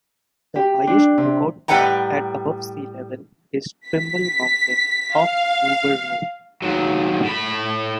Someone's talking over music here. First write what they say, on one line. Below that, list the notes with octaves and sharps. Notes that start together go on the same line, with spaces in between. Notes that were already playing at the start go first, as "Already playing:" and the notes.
The highest lookout point, at above sea level, is Trimble Mountain, off Brewer Road.
G4
D4
C3
A2 G3 B4 F#5 G5 A#5
B6
F5
D#2 F#3
A2 B5